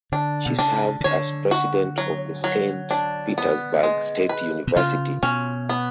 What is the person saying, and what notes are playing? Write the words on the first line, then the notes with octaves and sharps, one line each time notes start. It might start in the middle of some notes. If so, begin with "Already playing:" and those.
She served as president of Saint Petersburg State University.
D3 D4
B2
C#3 D4
C#3
D3 C#5
F#4
F#3
F#3
D4
B3
G#3
B4
B2
C#3 F4
B2 C#4
B3